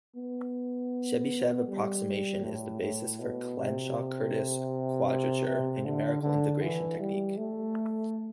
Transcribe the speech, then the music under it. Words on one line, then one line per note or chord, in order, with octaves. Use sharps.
Chebyshev approximation is the basis for Clenshaw-Curtis quadrature, a numerical integration technique.
B3
G3
A2
A2
B2
C3
C3
D3
D3
E3
G3
A3